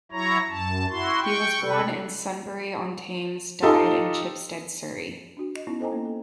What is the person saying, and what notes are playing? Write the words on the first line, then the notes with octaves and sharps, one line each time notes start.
He was born in Sunbury-on-Thames; died in Chipstead, Surrey.
F#3 E4 C#5 A#5
F#2 A5
E4 F#4 C6
G5 C#6
C3 A4 B4
D#4 F4 G4 A4
D4 F#4
D#5
B3 C#4 D#4 E4
A4 C5 D#5 G5 G#5 A#5
A#3 C#4
A4